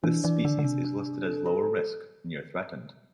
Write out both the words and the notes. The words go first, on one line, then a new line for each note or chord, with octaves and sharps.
This species is listed as lower risk, near threatened.
E3 D4
E3 D5
D3 D4
D3
C3 D4
D4
D4
A4
A4